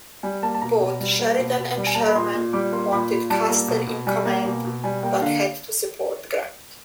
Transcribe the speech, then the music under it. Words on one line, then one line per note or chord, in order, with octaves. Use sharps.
Both Sheridan and Sherman wanted Custer in command but had to support Grant.
G3 G#5
A#3 A5
A5
B2 A#5
B2
G3
A#3
B2
B2
G3
G#5
A#3 A5
A#5
B5
A#2 C6
A#2
G3 D6
A#3 C6
A#2 B5
A#2
G3 A5
A#3
B2
B2
G3 G#5
A#3
B2
B2
G3 G#5
A#3 G5
D3 F5